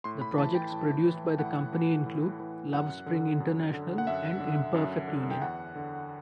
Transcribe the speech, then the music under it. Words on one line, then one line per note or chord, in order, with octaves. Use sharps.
The projects produced by the company include "Lovespring International" and "Imperfect Union".
A2 C6
B5
E3 A5
G5
A2
E3
A2 F#5
E3
A2
E3
F#2 F#5
D3
F#2
D3
F#5
F#2 E5
D3
F#2
D3
G5
E2 F#5
D3